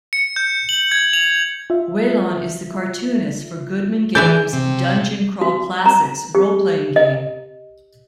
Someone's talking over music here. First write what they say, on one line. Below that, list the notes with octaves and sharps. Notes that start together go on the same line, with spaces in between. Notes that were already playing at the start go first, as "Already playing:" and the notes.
Whelon is the cartoonist for Goodman Game's 'Dungeon Crawl Classics' Role Playing Game.
C#7
G6
F#7
G#6
F7
F4 E5
E3 E4 G#4 D5 G6
C3
F#4
A#5
G4
D#5